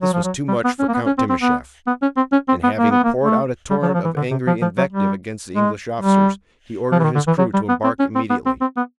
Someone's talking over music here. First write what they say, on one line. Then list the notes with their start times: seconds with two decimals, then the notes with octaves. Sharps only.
This was too much for Count Timascheff, and having poured out a torrent of angry invective against the English officers, he ordered his crew to embark immediately.
0.02 F#3
0.13 F3
0.23 F#3
0.48 G3
0.64 B3
0.79 C#4
0.89 A#3
0.94 B3
1.06 C#4
1.18 C4
1.29 C4
1.41 B3
1.87 B3
2.02 C#4
2.17 C4
2.32 C#4
2.48 C4
2.63 B3
2.78 A#3
2.91 B3
3.04 A#3
3.24 A3
3.70 G3
3.82 F3
3.88 F#3
3.94 F3
4.05 E3
4.16 D3
4.31 C3
4.47 F3
4.62 F3
4.78 F#3
4.92 G3
5.55 G#3
6.00 G3
6.92 F3
6.99 E3
7.04 D#3
7.15 D3
7.27 E3
7.38 F#3
7.54 G3
7.69 B3
7.84 C4
7.99 C#4
8.15 C4
8.30 B3
8.46 C4
8.61 C4
8.77 B3